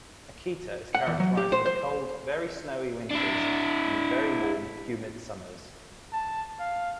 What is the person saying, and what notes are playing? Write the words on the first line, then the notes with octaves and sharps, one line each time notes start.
Akita is characterized with cold, very snowy, winters, and very warm, humid summers.
F#5
E2
F#3
G4
C5
C5
D4 E4
A5
F5